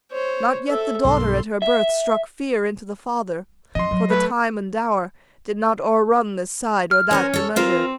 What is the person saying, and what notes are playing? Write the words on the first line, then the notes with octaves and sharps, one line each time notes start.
Not yet the daughter at her birth struck fear Into the father, for the time and dower Did not o'errun this side or that the measure.
C5 C#5
A4 E5
B1 G2 A4 C6
E5
F#2 F3 D#5 C6
F#3
A3 B4
F6
C#4 A#4 C5 G#5
A4 C#5
C4 F4 A#4 F5